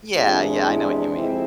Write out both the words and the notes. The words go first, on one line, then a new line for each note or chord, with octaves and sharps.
Yeah, yeah, I know what you mean.
E2 C3 G#3 D4 F4
E4
F2 C3 G#3 C4 E4